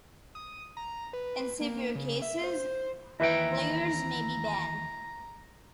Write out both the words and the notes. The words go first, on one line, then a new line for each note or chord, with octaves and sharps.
In severe cases players may be banned.
D#6
A#5
B4
A#3
C#3
E5
C5
D#2 E3 E4 B4 E5 G5 A#5